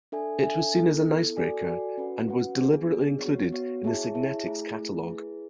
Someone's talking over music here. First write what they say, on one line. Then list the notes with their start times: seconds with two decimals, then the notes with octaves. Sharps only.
It was seen as "an icebreaker" and was deliberately included in the Signetics catalog.
0.12 D4 A4 E5 G#5
0.43 D4 A4 E5 G#5
0.74 B3 E4 A4
1.05 B3 E4 A4
1.37 F#4 A4 D5 G#5
1.67 F#4 A4 D5 G#5
1.98 C#4 F#4 B4 F#5
2.29 C#4 F#4 B4 F#5
2.60 B3 D4 G#4
2.90 B3 D4 G#4
3.22 B3 F#4 C#5
3.52 B3 F#4 C#5
3.84 E4 G#4 C#5 E5 A5
4.14 E4 G#4 C#5 E5 A5
4.46 A3 E4 G#4
4.76 A3 E4 G#4
5.08 E4 G#4 B4